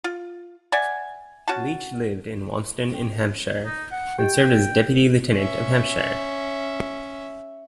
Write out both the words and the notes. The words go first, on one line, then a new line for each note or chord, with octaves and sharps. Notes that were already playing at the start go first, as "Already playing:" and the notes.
Leach lived at Wonston in Hampshire and served as Deputy Lieutenant of Hampshire.
F4
D5 E5 F#5 G#5
C#4 F#4 F#5 A5
C#4
D#4
F#5
G4 D#5 G5
C#4 E5